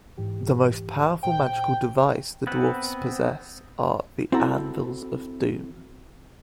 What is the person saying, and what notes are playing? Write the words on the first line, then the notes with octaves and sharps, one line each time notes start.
The most powerful magical device the Dwarfs possess are the Anvils of Doom.
G#2 E3 G4
A#2 C5 G5
B3 C4 F#5
C4 E4 F#4 A4 A#5